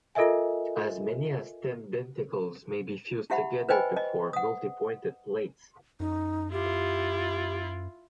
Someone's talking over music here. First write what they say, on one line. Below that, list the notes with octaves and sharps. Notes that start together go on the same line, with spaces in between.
As many as ten denticles may be fused together to form multi-pointed plates.
F4 A4 A#4 D#5 E5 G#5
E4 G4 E5 F#5 B5
B4 C5 D#5 G5 G#5 B5
D#5
F#5 D#6
F#2 D#4
E4 F4 G4